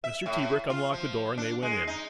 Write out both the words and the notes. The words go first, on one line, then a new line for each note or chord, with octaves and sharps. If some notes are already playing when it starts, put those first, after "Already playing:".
Mr. Tebrick unlocked the door and they went in.
E5
A2
F4
F3
D4
G#3
D#4